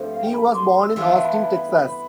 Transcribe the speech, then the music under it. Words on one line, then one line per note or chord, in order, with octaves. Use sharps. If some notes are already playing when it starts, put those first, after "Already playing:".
Key was born in Austin, Texas.
Already playing: G2 F3 A3 C4
F5
G5
B5
D6
C6
C6
E6
E3 B3 F4 E6
A5
B5
A5
B5